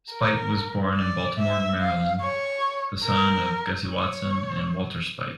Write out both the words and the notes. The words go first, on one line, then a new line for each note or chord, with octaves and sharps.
Speight was born in Baltimore, Maryland, the son of Gussie Watson and Walter Speight.
A#4
D5
E5
F5
C#5
A#4
C#5